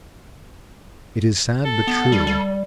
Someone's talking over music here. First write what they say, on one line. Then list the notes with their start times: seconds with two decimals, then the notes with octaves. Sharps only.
It is sad but true.
1.65 A4
1.87 B3
2.12 G3
2.27 G3